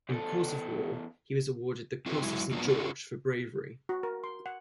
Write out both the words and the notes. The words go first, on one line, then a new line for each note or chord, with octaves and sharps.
In course of war he was awarded the Cross of Saint George for bravery.
E2 A4
C4 F4 G4 A4 B4
F#3 G#3 E4
F#3 A#3 B3 D4 F4
C#4 D4 F4 F#4
F#4
A#4
C6
F#5